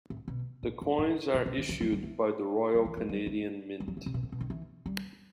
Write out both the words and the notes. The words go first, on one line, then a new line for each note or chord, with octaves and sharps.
The coins are issued by the Royal Canadian Mint.
A2
B2
A2
G2
A2
B2
C3
D#3
E3
F#3
G3
A3
G3
E3
F#3
G3
A3
G3
F#3
E3
C3
B2
A2
B2
D#3
E3
G3